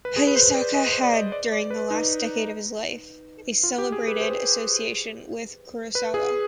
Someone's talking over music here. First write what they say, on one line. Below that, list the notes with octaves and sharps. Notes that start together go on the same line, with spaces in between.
Hayasaka had, during the last decade of his life, a celebrated association with Kurosawa.
B4
G#4
B4
C5
D5
D#5
C5
D5
D#5
D5
D5
B4
D#4
F4
G4
G#4
B4
C5
B4
G#4